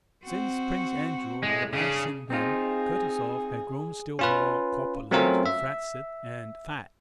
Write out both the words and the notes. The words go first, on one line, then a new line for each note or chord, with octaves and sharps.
Since Prince Andrew had last seen him Kutuzov had grown still more corpulent, flaccid, and fat.
C4 F#4
A2 G#3
C#3 D4 G#4
C4 D#4 F4 G#4
C#4 F4 B4
F#3 A3 C4 C#4 F4 A#4
E5